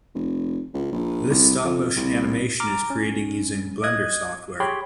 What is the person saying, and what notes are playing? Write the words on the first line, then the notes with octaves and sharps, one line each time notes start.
This stop motion animation is created using Blender software.
F1
C#2
A#1
C2
F2
C2
A#5 D6 F6
C#4
D#5 D#6 F#6 G#6
G4 G#4 C#5 G5 B5 C6